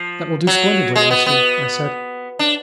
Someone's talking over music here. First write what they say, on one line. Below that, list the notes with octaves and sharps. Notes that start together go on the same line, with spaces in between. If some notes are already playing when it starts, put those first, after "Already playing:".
"That will do splendidly, Elsie," I said.
Already playing: F3
F#3
G#3
B3
B3
D4